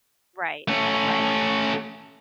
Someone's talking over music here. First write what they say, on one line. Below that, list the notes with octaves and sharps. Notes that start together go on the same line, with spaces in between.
Right. Right.
A3 C#4